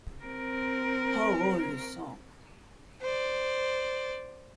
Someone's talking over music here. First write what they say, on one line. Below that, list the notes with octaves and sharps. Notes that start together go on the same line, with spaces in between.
How Old Is Song?
C4 A#4
C5 D5